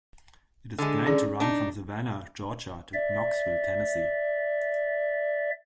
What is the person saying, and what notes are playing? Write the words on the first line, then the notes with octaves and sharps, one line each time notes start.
It is planned to run from Savannah, Georgia, to Knoxville, Tennessee.
D3 G#3
C#4 G#4 D5
D4 D#4
D5 E5